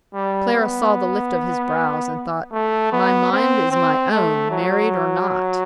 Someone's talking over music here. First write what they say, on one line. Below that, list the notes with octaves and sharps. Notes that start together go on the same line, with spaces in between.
Clara saw the lift of his brows, and thought, "My mind is my own, married or not."
G3
B3
A3
B3
C4
C4
A3
F#3